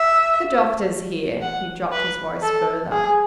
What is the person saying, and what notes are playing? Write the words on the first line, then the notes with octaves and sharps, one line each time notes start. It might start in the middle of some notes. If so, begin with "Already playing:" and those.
"The doctors here." He dropped his voice further.
Already playing: E5
F#5
B4
A4
G#4